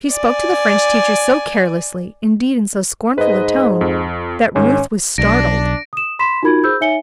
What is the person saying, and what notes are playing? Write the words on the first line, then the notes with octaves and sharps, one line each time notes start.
She spoke to the French teacher so carelessly--indeed, in so scornful a tone--that Ruth was startled.
D5 G#5
G#2 B4 D#5
F2
G#2 D#3 C#4
B1 D4 A#6 D7
D#6 E7
B5 C6 B6 E7
D#4 F4 F#4 A#4 B5 G#6
G#4 C5 B5 E6 G6
D#4 C#5 E5 G#5 C#7 G7